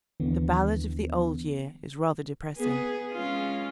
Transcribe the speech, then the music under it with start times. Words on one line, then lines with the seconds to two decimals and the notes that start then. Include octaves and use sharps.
The Ballad of the Old Year is rather depressing.
0.20 D#2 D3 E3 B3
2.57 B3 G#4
3.12 G#3 C#4 F4